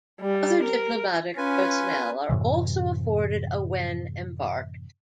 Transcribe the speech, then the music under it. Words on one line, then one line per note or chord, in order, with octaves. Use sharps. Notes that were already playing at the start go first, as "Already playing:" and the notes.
Other diplomatic personnel are also afforded a when embarked.
G3
A#4
C#4 F4 B4 G#5
F#2 A2 C3 E3